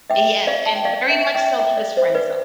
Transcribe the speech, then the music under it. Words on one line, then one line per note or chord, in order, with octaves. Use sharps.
Yes, and very much so he was friend zoned,
E5 G5
D5 F5
A5
G5
D5 F5
E5 G5
E5 G5
E5 G5
D5 F5
C5 E5
B4 D5